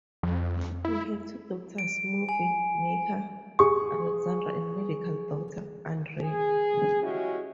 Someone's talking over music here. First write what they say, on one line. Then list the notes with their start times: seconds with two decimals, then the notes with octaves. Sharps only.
They had two daughters, movie-maker Alexandra and medical doctor Andrea.
0.23 F2
0.85 E4
1.78 D7
2.29 G#5
3.59 G#4 C#6
6.21 G#4
7.02 G#3 C#4 E4 F#4 G4